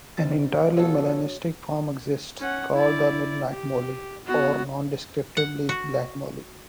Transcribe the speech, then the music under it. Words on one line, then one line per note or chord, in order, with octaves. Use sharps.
An entirely melanistic form exists called the midnight molly, or nondescriptly, "black molly".
F1 C4 A6
B2 F4 F#4 G#4 A4 C#5
C#4 F#5
E4 D5
G4
B3 F#4
F#5
F#4